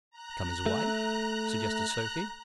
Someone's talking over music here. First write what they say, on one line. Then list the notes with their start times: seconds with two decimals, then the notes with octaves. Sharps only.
"Become his wife?" suggested Sophie.
0.10 A#5 F#6
0.66 A3